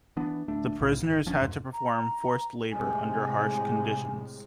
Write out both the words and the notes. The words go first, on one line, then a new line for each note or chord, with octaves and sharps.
The prisoners had to perform forced labor under harsh conditions.
E3 B3 D4
D1 A3 D4
B1 A2
D1
F1 F3 C#4 D4
F2 G#2
A#5
A2 C3 G#3 G#5